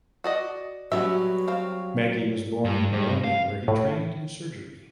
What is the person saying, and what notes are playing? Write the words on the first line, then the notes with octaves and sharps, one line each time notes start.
Maggi was born in Bologna where he trained in surgery.
F#4 D5 D#5
F#3 G3 B3 C#4 F#4 D5 E5
C4 F5
G2
G2
F5
A2